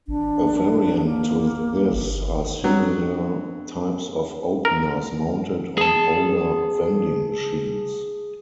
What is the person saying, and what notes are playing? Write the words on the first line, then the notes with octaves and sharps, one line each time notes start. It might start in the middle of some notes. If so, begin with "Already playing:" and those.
A variant to this are similar types of openers mounted on older vending machines.
G#1 D4
A#3
G1
F#3 B3 C4 D4
A#4
G#4 A5